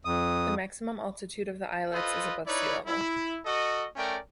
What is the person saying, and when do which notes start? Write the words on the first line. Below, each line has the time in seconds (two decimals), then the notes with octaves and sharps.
The maximum altitude of the islets is above sea level.
0.05 F2 D#6
1.92 F4 A4 B4 C5 D#5
2.45 D#4 E4 B4 C#5 D5
2.86 E4
3.45 F#4 A4 D#5
3.96 A3 C#4 A#4 D5 G5